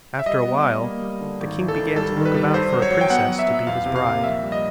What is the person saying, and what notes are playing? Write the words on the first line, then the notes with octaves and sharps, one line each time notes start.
After a while the king began to look about for a princess to be his bride.
E5
G3 D#5
B3
G3
A#3
G3
D3
G#1
E3
A4
G#1
G3 A4
D#3
B4
G3
G2 C5
F#3
C#5
F#3
G5
B3 F#5
F#3
E5
B3
E2 F5
C3
F5
A#3
A#1 E5
G3
D#5